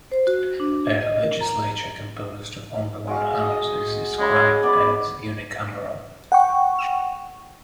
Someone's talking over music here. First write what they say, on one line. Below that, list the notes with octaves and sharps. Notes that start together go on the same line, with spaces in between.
A legislature composed of only one house is described as unicameral.
C5
F#4
D4
D#5
A#4
A#5
G#3 F#4 F5
D#5
C#3 G#3 B5 D6
B3 D5 D#5 B5
F#5 G5 C#6